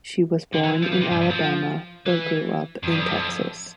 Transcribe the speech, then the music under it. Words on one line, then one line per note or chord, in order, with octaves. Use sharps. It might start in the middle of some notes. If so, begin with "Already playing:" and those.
She was born in Alabama but grew up in Texas.
D3
E3
F3
E3
C3
G2
G2
F3
E3
F2
G2
F2
G2
F2